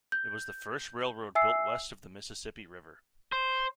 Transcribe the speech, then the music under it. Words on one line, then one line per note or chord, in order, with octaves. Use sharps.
It was the first railroad built west of the Mississippi River.
G6
E5 G#5 E6 C7
C5